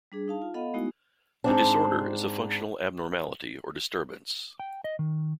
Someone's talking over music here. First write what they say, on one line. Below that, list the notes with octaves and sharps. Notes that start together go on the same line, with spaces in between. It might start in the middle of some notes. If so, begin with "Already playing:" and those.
A disorder is a functional abnormality or disturbance.
G3 D4 G#4
D#4 F5 A5
F4
B3 A4 D#5 F5 F#5 B5
G#3 A3 B3 D#4 E4 F#4
G#2 C4 D4
G5
D#5
D#3